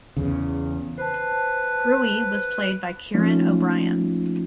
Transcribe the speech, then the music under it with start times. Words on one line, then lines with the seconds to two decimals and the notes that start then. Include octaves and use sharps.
Gruey was played by Kieran O'Brien.
0.17 E2 C#3
0.98 B4 C5 A5
3.14 F3 A3 A#3 C#4 D#4 F4